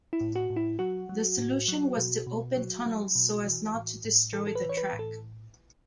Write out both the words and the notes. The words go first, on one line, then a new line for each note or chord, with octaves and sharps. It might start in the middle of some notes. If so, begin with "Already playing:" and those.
The solution was to open tunnels so as not to destroy the track.
E4
A2
F#4
A2
E4
F#3 F#4
F#3
A2
F#3
B2
B2
F#3
F#3
B2
E3
A2
A2
E3 A4
A4
B4
E3
C#5
B4
A2
A4